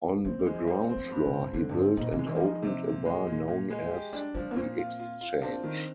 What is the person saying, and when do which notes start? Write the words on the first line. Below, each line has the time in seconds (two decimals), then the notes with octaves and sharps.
On the ground floor he built and opened a bar known as The Exchange.
0.25 A#3 C4
0.39 G3
0.46 G#3
0.53 F3
0.67 G3 C4
0.89 C4
0.96 F3
1.12 G2
1.25 C3
1.32 C4
1.40 G2
1.53 F2 D3
1.69 G2
1.76 C4
1.83 G#2
1.97 A#2 D#4
2.12 C3
2.18 G#3
2.26 D#3
2.35 G3
2.40 F3 D#4
2.62 C3
2.84 A#2
3.05 G#3
3.27 A#2
3.48 A#2
3.70 G#3
3.91 G4
4.13 G3 D4
4.34 F3 G3
4.51 A#3
4.56 A#2 C4
4.78 F4
5.00 F4
5.21 F4
5.42 C4 D4
5.63 D#3